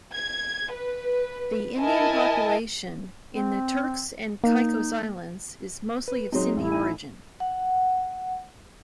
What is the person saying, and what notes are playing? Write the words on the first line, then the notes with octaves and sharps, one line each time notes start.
The Indian population in the Turks and Caicos Islands is mostly of Sindhi origin.
G#6
B4
E4 A#4 D#5 G#5 A5
C4
A#3 D#4
B4
F#3 G#3 C4 D#4 C6
A1 E4
D#4 G#5
F#5